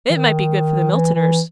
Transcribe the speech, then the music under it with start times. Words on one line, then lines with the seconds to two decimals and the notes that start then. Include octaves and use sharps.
'It might be good for the Miltoners.
0.10 E3
0.15 D#3
0.90 E3
1.15 E3